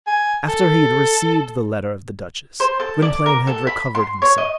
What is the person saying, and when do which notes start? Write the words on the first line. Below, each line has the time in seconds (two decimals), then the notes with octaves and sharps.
After he had received the letter of the duchess, Gwynplaine had recovered himself.
0.07 G#5
0.48 A4
2.60 C5
2.80 A4
3.02 D5
3.26 A#4
3.47 A4
3.67 B5
3.95 C6
4.22 C#5
4.38 D#5